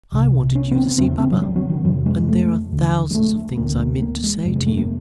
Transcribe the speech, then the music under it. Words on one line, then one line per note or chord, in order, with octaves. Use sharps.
"I wanted you to see Baba, and there are thousands of things I meant to say to you."
C2 C3
C#4
B3
C4
E2 C#3 C4
C4
F#3
G3
F#3
D#3
F2 C3 F#3
G#3
A3
D#2 D3
G#3
A3
D2 D3 A#3
A#3
A#3
G#3
F2 C3 G3
G#3
A3
A#3